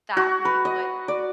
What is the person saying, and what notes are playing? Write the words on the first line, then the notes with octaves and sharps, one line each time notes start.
that we would
F#4
B4
D#5
D5